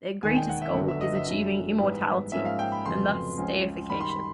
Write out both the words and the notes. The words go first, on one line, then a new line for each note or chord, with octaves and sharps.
Their greatest goal is achieving immortality and thus deification.
E1 D#2 D#3 G#3 G#5
G5
F#5
E5
G1 F#2 D3 F#3 B3
E5
D#5
E5
F#2 D3 F#3 E5
G#2 E3 G3 B3
G#2 F3 A#3 C#4 E5
F5
G5
B5
F1 F2 C#3 F#3 B3 C6
C#2 C#3 F3 G#3 C#4
F#2 D#3 G3 B5
C6
B5